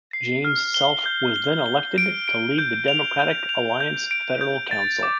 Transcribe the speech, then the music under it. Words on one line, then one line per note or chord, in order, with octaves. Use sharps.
James Selfe was then elected to lead the Democratic Alliance Federal Council.
C7
F6
G7
G6
G7
G7
D7
D7
G6
F7
G6
F7
G6
D7
G6
A6
D6